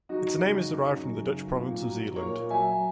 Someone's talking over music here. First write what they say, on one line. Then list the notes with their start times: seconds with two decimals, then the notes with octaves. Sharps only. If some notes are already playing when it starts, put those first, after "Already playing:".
Its name is derived from the Dutch province of Zeeland.
0.09 F#3 D#4 F#4
0.27 F#2
0.44 C#3
0.60 F#2
0.78 F#3
0.96 F#2
1.13 C#3
1.30 F#2
1.47 A#2
1.64 A#2
1.81 F#3
1.99 F#3
2.16 A#2 A#4 C#5
2.33 A#2
2.50 F#3 E5 G#5
2.68 F#3